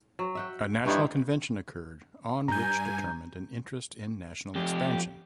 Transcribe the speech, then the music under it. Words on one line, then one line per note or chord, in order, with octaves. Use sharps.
A national convention occurred on which determined an interest in national expansion.
F#3
E5 F#5 G5
G2 A3 D#4 E4
G2 G#5 A#5 G6
F2 G4